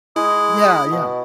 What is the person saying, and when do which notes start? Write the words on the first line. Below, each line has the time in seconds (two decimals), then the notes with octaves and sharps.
Yeah, yeah.
0.16 G#3 E4 D#6
0.91 B2